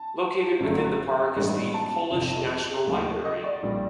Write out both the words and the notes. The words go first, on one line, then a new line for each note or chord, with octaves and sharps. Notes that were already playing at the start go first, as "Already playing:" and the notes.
Located within the park is the Polish National Library.
Already playing: A5
G1 F#2 D3 F#3 A3
A1 G2 D#3 G#3
A5
G1 F2 C3
D#2 C#3 F#3 A3
D#5
D5
A#1 A#2 G3